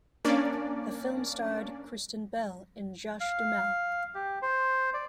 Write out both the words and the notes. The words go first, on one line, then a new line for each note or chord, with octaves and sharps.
The film starred Kristen Bell and Josh Duhamel.
A#3 C#4 D4 D5
F5
G4
C5
D5